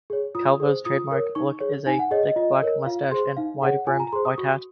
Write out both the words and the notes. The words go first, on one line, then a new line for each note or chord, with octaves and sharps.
Calvo's trademark look is a thick black moustache and wide-brimmed white hat.
G#4 C#5
F4 D#6
G#4 C5
F4 D#6
A#4 C#5
D#4 C#6
G#4 C#5
D#4 G#5
F#5
G#4 C#5 D#5
D#5
F4 D#5
A#4 C#5
F4 F5
G#4 C5 C6
D#4 F5
G#4 C#5 F#5
F4 G#5
A#5
G#4 C5 C6
D#6
F#4 C#6